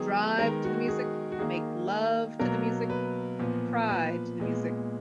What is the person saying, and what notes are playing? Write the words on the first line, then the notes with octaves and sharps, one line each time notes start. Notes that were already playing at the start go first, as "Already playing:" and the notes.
Drive to the music, Make love to the music, cry to the music.
Already playing: D#3 F#3 B3 G#4
D#3 G#3 B3 A#4
F#4
G#4
F#4
D#3 A#3 G#4
B2 F#3 A#3 A#4
B4
A#2 F3 B3
B4
A#2 G#3 B3